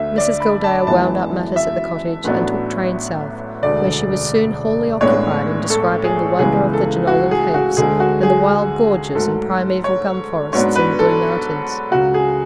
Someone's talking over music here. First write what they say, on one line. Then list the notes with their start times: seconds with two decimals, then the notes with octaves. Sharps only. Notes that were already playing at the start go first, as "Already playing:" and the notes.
Mrs Gildea wound up matters at the Cottage and took train south, where she was soon wholly occupied in describing the wonder of the Jenolan Caves and the wild gorges and primaeval gum forests in the Blue Mountains.
Already playing: D2 D3 A3 E5
0.18 D5
0.40 B5
0.64 A5
0.87 F#2 E3 G#3 B3 A5
1.56 E5
2.24 A1 A2 F#3 B3 D4
3.63 E1 D2 D3 D5
5.01 A1 A2 G#3 B3 D4 C#5
5.70 A4
6.04 G#4
6.39 C#2 C#3 E3 G#3 B3 G#4
6.73 A4
7.07 F#4
7.31 G#4
7.54 F#4
7.77 D2 D3 G#3 G#4
8.00 F#4
8.23 G#4
9.15 G#2 F#3 A3 A4
9.84 C#5
10.53 G#2 F#3 B3 D4 C#5
10.76 B4
10.99 A4
11.91 C#2 C#3 F#3 F#4
12.14 G#4